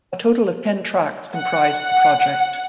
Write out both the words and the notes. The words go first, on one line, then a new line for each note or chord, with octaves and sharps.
A total of ten tracks comprised the project.
F#5